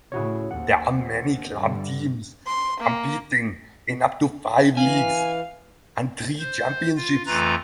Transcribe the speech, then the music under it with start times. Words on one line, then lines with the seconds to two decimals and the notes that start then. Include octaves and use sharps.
There are many club teams competing in up to five leagues and three championships.
0.12 A2 C#3 E4 F#4 C#5
0.51 D#2 C4 F#5
1.52 G2 D3 G3
2.46 C6
2.80 A#3
4.77 E3 F5 G#5
6.39 C5
6.96 F4
7.26 F2 E3 A3 F4 B4 A#5